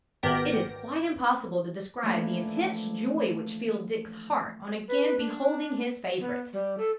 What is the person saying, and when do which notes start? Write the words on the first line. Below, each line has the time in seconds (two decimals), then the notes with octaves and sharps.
It is quite impossible to describe the intense joy which filled Dick's heart on again beholding his favourite.
0.23 G#1 B3 G4 A#4 G5 A#6
2.02 E3 F3 A3 A#3 C#4 D4
4.88 B4
5.19 D4
6.20 B3
6.53 G3
6.78 A4